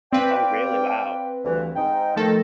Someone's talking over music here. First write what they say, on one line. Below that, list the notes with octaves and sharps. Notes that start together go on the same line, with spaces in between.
Oh really? Wow.
C4 B4 D5 F5 G5
D2 G2 E3
G#2 D#4 G5
D#3 F3 A3 A4 A#4